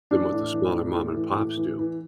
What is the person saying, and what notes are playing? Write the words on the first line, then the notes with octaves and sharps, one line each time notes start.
than what the smaller mom-and-pops do.
E3 D4
A2
E3
A2
A2
E3
A2
E3
E3